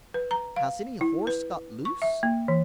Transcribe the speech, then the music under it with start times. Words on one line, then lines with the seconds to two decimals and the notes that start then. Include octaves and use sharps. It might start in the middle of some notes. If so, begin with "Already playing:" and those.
"Has any horse got loose?"
0.14 B4
0.31 A#5
0.56 F5
1.01 E4
1.27 B4
1.85 C#6
2.02 E5
2.23 A#3
2.48 E3